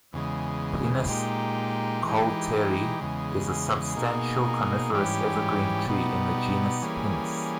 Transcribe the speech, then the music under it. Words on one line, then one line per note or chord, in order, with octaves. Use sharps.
"Pinus coulteri" is a substantial coniferous evergreen tree in the genus "Pinus".
E2 C#3 G#3
A#2 G#3 D#4 G4
E3 G#3 D#4 G4
E2 C#3 G#3
B2 A#3 D#4 G#4
G#2 E3 G3 C#4 G4
B2 G3 B3 D#4
E3 G3 A#3 C#4 G#4